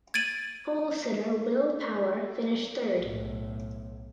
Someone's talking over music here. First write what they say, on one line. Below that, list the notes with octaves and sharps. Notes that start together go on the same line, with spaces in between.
Polesitter Will Power finished third.
G#6 A6 D7 D#7 F#7
B1 A2